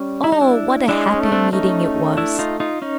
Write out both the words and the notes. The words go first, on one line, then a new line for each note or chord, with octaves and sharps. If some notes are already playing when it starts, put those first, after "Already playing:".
Oh, what a happy meeting it was!
Already playing: G3 C#4
E4
D#4
D4 E4
G#3 D4 E4
C#4 D#4
A3
C4 D4
A3 C#4 D#4
D4 E4
D#4 F4
D#4 F4
C#4 D#4